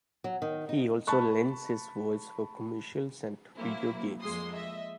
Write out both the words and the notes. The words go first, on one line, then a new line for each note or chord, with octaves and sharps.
He also lends his voice for commercials and video games.
F#3
D#3
D#4
A5 B5 C#6 F#6
F#3 A#3 C4 E4
F2 G#3 A#3 C6 D#6
D#5 E5